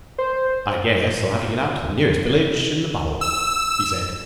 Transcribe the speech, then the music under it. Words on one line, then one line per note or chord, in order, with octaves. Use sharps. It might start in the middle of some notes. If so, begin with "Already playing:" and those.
"I guess I'll have to get out to the nearest village in the bubble," he said.
C5
E6